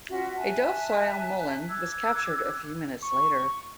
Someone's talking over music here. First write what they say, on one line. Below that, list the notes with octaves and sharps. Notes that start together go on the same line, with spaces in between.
A "docile" Mullin was captured a few minutes later.
C#4 F4 F#4 E5
E5 G#5 A5 F#6
D6 E6 F#6 G#6
C#6